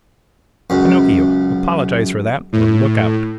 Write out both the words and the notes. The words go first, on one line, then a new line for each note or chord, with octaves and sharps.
"Pinocchio, apologize for that, or look out!"
C#2 F#2
A2